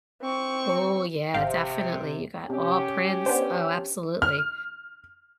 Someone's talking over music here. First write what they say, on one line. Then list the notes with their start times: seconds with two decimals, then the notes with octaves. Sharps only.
Ooh yeah, definitely, you got all Prince. Oh, absolutely.
0.22 C4 C#6
1.34 G#1 C3 F5 G5
2.50 C3 C#4 G4
3.26 B3 D4 C5
4.22 F6